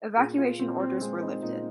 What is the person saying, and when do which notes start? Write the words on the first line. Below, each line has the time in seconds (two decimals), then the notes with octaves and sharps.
Evacuation orders were lifted.
0.17 A#2 G#4
0.38 F4
0.59 A#2 C4
0.80 C4
1.01 G#3 C4
1.22 D#4
1.43 A#2 D#4